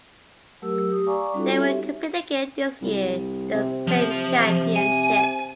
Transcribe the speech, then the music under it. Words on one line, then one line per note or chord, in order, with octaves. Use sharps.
They will compete again this year in that same championship.
F#3 A3 G4 A#4 E6
G4 D#6
D5 F5 G#5 A#5 C#6 D6
G3 C#4 D#4 F4 F#4 A4
C4 G4 C#5 E5
C2
C3
F3
G#5